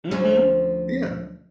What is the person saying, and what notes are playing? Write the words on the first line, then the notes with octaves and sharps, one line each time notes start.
Mhm, yeah.
D2 F3 C#4